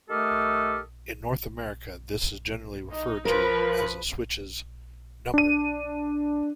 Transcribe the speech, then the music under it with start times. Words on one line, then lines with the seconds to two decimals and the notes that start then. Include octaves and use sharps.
In North America this is generally referred to as a switch's "number".
0.10 D#3 A3 G4 A4 D#6 F6
2.91 D#4
3.25 F3 A#4 B4
5.34 D4 D#7